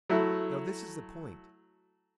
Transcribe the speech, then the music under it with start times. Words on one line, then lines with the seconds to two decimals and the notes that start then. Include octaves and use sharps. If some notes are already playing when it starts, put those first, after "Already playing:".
Now this is the point.
0.09 F#3 A3 E4